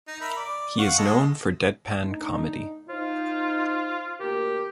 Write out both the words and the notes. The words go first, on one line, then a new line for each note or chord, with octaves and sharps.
He is known for deadpan comedy.
D#4
A#4 E5 B5
D5
F5 F#5 C#6
G#3 A4 D#5
A3 D4 D#4
D#4 F4 C5
D2 A#2 G4 A#4